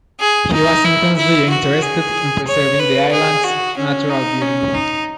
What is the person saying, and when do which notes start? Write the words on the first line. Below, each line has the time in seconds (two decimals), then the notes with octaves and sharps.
He was intensely interested in preserving the island's natural beauty.
0.20 G#4
0.53 D#4
0.85 E4
1.17 E4
1.50 F#4
1.82 G#4
2.47 C#5
2.79 B4
3.12 G#4
3.44 F#4
3.77 C#4
4.09 D#4
4.42 C#4
4.74 D#4